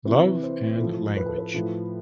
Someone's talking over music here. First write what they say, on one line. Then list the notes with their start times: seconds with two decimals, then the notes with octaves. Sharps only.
Love and language.
0.05 C3 E3 B4
0.43 C5
0.79 A2 F3
1.17 B4
1.29 A4
1.38 B4
1.54 A2 F3